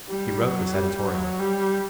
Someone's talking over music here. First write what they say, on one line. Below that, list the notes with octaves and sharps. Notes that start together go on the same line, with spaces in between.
"He wrote this editorial."
G3
F#3
G3
F#3
G3